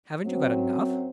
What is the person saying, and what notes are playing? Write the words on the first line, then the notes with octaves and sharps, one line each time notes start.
"Haven't you got enough?"
F#2 F#3 C4